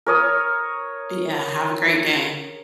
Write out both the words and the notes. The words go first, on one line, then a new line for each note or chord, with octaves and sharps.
Yeah, have a great day.
A#4 C#5 D#6